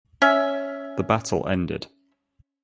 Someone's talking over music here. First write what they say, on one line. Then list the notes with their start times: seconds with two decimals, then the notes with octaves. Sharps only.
The battle ended.
0.22 C#4 E5